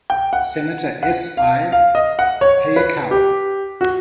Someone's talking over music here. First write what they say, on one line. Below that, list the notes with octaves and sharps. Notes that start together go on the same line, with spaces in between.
Senator S. I. Hayakawa.
G5
F#5
F#5
F5
F5
D#5
F#5
C#5
B4
G4
F#4